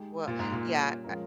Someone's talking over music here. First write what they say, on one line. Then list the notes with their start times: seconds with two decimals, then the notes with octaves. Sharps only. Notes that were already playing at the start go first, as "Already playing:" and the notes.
Well, yeah. Eh,
Already playing: G#3 D#4 G4
0.27 A#2 A#3 F4 C5
0.39 G#2
0.52 A#2
0.65 G3 C#4 F4
1.04 F3 G#3 C#4 F4 A#4